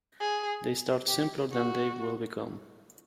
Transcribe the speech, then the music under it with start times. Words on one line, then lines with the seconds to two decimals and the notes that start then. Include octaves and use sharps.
They start simpler than they will become.
0.20 G#4
1.08 G4
1.52 F#4